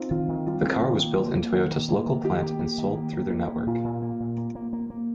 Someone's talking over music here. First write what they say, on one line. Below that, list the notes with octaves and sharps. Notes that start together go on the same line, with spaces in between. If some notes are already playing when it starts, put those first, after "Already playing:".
The car was built in Toyota's local plant and sold through their network.
Already playing: C4 D#4 F4
D#3 F4
D#3
G3 F4
C4
D#3
A#3
A#3
A#3
D#3
A#3
A#3
D#3
D#3 G4
A#3
A#3
D#3
A#3
A#3
A#3
A#3
A#2 F4
A#2
A#3
A#2
A#3
A#3
A#3
A#3